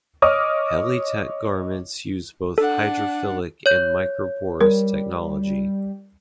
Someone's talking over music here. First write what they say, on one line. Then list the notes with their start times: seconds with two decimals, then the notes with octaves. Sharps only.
Helly Tech garments use both hydrophilic and microporous technology.
0.22 C#5 D#5 D6 D#6 F6
2.58 D4 A4 F#5
3.66 C#5 G6
4.61 G3 A#4